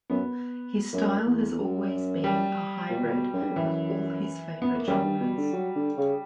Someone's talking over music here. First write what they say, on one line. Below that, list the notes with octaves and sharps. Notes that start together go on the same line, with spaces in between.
His style has always been a hybrid of all his favorite genres.
F#2 B3
F#2 A#3
E2
E2
F#2
G3
A#2
B2
A#2
B2
F#2
G2
F#2
E3
B3
A#3
F#2 G3
G2
B2
D3
F#3
D3
C#3